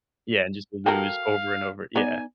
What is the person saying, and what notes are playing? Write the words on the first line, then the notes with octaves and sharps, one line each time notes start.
Yeah, and just to lose over and over, yeah.
F#4 A4 A#4 F5 G5
B3 D#4 D5 G#5